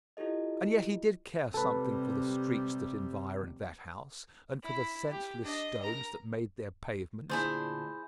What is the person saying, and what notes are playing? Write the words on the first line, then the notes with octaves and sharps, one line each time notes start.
And yet he did care something for the streets that environed that house, and for the senseless stones that made their pavements.
E4 F4 G4 A4 D#5
C3 G3 A4 B4
E4
G4
D4 D#5
A#4 A#5
D2 A#2 D4 E4 G#4 C5